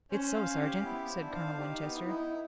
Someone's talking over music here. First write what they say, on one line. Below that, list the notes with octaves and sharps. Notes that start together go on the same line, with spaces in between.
"It's so, sergeant," said Colonel Winchester.
C#4 C5
F5
C#4
G4
B3 E4
C5
D4
F5
D#4 G4
B3
E4
D#4